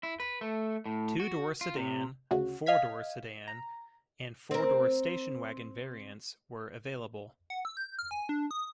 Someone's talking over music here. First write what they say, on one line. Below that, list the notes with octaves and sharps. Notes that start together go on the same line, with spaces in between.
Two-door sedan, four-door sedan, and four-door station wagon variants were available.
E4
B4
A3
A2
F#4
F4
C3
D2 C#3 F#4
D#5 F5 F6 G#6 B6
A#5
C4 A#4
F#5
E6
G6
F6
G#5
D4
D#6